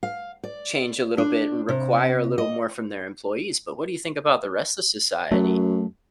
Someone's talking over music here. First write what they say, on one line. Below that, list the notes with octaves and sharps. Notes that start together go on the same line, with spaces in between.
change a little bit, and require a little more from their employees, but what do you think about the rest of society?
F5
D5
D4
C3
D#5
F#2 F#3 A3